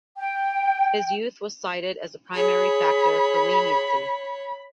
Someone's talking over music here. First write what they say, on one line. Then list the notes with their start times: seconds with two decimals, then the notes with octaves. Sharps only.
His youth was cited as the primary factor for leniency.
0.17 G5
2.35 G#4 C#5 B5